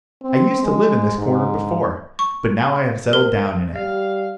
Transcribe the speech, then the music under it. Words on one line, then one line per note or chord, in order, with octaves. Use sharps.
I used to live in this corner before, but now I have settled down in it.
C4
G#3
G#2
C#6
A#4
G3 F5